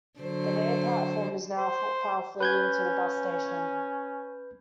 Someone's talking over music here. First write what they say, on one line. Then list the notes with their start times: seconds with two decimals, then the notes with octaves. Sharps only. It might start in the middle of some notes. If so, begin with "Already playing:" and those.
The bay platform is now a footpath leading to the bus station.
0.19 D3 F#3 C5
1.58 C5
2.40 C#4 B4 G6 G#6